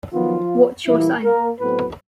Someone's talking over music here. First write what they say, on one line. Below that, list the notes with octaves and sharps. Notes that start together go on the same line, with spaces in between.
What's your sign?
D#3 F3 F#3 B3 F4
A#2 E3 G3 A#3 E4
A#3 A#4
A2 F#3 A3 B3 C4 B4